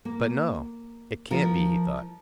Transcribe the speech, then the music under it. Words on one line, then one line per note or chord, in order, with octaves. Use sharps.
"But no, it can't be!" he thought.
A#3
F3 A#4